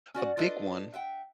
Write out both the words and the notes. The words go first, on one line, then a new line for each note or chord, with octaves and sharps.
A big one,
C#4 F#4 D5 F#5
D4 F4 A4 B4 D#5
E5 F#5 G5